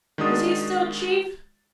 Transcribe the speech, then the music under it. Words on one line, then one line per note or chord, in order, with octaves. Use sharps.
"Is he still chief?"
D#3 G#3 D4 F#4 D#6 A6